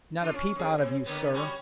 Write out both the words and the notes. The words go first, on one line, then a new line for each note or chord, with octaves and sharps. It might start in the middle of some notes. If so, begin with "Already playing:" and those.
Not a peep out of you, sir.
D4 F4 A4
C#4
F2 G#4
C3
D3 A#3 B3
G3 C#4 F#4